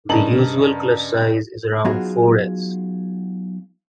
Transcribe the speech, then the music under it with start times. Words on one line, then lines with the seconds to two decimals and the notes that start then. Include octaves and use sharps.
The usual clutch size is around four eggs.
0.09 G2 C#3 A#4 D#5 A5 F#7
1.85 F#3 B3 D#4 F4 F#4 G#4